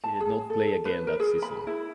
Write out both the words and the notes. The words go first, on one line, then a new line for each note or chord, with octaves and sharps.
He did not play again that season.
A5
G#4
A4
B4
A#4
G#4
B5
E4